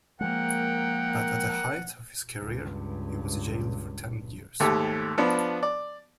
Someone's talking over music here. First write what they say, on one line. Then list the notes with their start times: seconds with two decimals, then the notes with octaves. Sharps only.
But at the height of his career, he was jailed for ten years.
0.21 F3 G#3 A#3 A#4 F#5 G5
2.37 C#2 G2
4.60 D#2 G#2 A3 G4
5.18 F3 B3 D4
5.63 D5